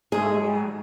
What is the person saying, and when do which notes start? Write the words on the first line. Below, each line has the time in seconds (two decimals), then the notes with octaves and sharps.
Oh, yeah.
0.12 G#2 G#3 G#4